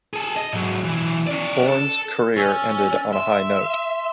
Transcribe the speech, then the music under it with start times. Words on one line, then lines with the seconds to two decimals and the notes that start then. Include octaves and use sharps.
Bourne's career ended on a high note.
0.14 G#4 A4
0.37 D#5
0.53 G#2 F#3
0.84 B1 E3
1.27 C#4 D5
1.68 A4
2.37 C#4 G#5 E6 A6
3.13 E5 C6